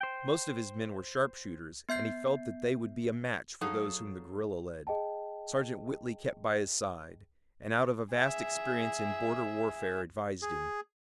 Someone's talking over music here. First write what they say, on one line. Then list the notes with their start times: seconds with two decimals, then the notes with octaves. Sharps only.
Most of his men were sharpshooters and he felt that they would be a match for those whom the guerrilla led. Sergeant Whitley kept by his side, and out of a vast experience in border warfare advised him.
0.01 C5 G5
1.89 B3 E5 G6 C7
3.61 F#3 D#4 G#4 A4 F5
4.87 G#4 D#5 G5 A5
8.13 G#4 E5
10.42 G#4